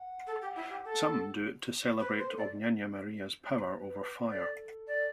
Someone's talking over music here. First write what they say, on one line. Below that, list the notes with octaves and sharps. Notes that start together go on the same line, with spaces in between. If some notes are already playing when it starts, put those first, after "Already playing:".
Some do it to celebrate Ognyena Maria's power over fire.
Already playing: F#5
A4
G4
E4
G4
A4
B4 C5
B4
C5
A4
D5
C5
B4
A4 D5
D5